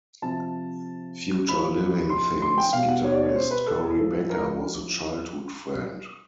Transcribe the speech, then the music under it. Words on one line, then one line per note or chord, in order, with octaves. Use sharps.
Future Living Things guitarist Cory Becker was a childhood friend.
C3 F3 A5
A2 F3 B5
C6
C6
G5
B2 G3 F5
F#5
C#5
D5
C#5
C5
B4
A4
G#4
A2 F3 A4
A#4